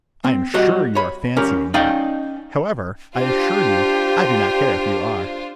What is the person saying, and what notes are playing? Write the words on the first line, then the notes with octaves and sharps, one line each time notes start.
I am sure you are fancying that ... However, I assure you I do not care if you are....
C4
G3 F#4 D#5
C#5 B5
C#4 G4 A#4
C#4 D#4 D5 D#5 F5 G5
D4 F4 G4 C5